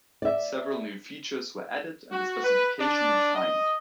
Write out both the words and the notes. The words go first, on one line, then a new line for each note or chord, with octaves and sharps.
Several new features were added and the specification refined.
D5 E5
F#4
B4
D4
D#5